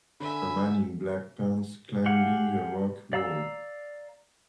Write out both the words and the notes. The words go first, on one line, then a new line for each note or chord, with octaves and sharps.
A man in black pants climbing a rock wall.
D3 E5 G#5 B5
G4 G#4 F5 F#5
D5 F5 A#5 E6